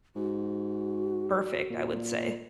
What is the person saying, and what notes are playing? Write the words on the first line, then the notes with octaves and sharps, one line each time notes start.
perfect, I would say.
G#2 F#4
A#2